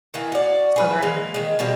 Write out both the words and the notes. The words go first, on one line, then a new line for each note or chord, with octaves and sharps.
Southern C
D#3 E3 A#3
F#4 D5
G#4 B4
G#3 A#3
D#3 G#3
B2 G3 A#3 C4